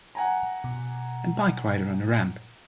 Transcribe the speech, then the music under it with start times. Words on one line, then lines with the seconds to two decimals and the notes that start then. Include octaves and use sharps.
A bike rider on a ramp.
0.15 F#5 G#5 A#5
0.64 B2